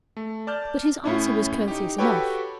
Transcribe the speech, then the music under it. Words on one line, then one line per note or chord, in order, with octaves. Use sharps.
But his answer was courteous enough.
A3
D5 A5 F6 G6
A2 C#4 E4
D#4 G4
F#4 G4 A4 B4 C#5 G5